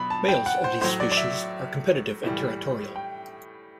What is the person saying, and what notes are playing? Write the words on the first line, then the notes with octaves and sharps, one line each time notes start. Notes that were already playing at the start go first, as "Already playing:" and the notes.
Males of these species are competitive and territorial.
Already playing: B2 F#3 B5
A5
G5
F#5
C5
A2 F#3 C5
D5
D5
E5
A2 E3 G3
G5